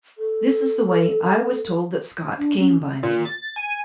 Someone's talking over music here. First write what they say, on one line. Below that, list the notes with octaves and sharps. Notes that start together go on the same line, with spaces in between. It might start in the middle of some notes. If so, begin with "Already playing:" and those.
This is the way I was told that Scott came by me.
A4
D4
C#4
A#2
A6
G#5